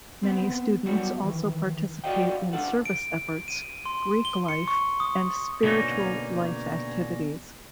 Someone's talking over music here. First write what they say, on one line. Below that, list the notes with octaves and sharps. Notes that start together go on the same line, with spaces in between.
Many students also participate in service efforts, Greek life, and spiritual life activities.
B3 C4
F#3 G3 B3 D4 F#4
D#3 E3
F#4 D5 D#5 F5 G5
D4 F4 A4 F#5
D7
D#7
C6
G7
C#7
C#6
D#6
B2 D3 A#3 C#4 D#4